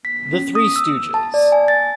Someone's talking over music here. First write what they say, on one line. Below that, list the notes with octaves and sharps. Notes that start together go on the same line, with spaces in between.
The Three Stooges.
B6
C#4
D#6
E6
A5
D5
G#5
A6